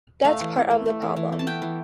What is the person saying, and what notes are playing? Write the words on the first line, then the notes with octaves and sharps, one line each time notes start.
That's part of the problem...
A3 F5
E3
E3
A3
A3
E3
E3
A3
A5
B3 G5
E3